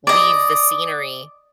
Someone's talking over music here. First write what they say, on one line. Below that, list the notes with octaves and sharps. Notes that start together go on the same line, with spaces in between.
leave the scenery
D5 D#5